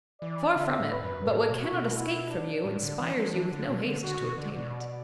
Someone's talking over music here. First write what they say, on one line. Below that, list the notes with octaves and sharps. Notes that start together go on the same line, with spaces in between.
Far from it; but what cannot escape from you inspires you with no haste to obtain it.
E3 D5
D3 E5
A2
B4
F#2
A2 A4
B2
F#4
B2
E4
D4
A2
D3
E3
F#3
E3
D3
B2
D3
D3 F#4
B2
D3 D5
B2